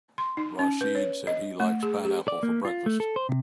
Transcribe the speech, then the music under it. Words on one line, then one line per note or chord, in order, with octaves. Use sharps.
Rachid said he likes pineapple for breakfast.
C6
D#4
C#4
B4
C#5
D#5
A3
G#4
G4
D5
A#3
F4
A3
A4
C5
C3